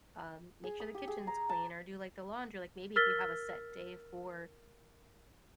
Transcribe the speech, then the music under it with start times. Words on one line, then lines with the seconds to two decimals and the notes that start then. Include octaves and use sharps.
um, make sure the kitchen's clean or do, like, the laundry. Like, maybe if you have a set day for
0.64 G#4
0.80 D#6
0.95 G4
1.08 G#4
1.27 A#5
1.49 A5
2.96 A#4 E6 F6 A6 B6 G7